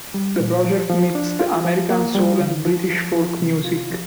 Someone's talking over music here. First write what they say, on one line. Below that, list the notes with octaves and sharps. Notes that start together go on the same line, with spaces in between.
The project mixed American soul and British Folk music.
G3
A#2
F3
F3
D4
F4
F3
A#3
G3
D3
F3
F3
F3
C3
F4
F3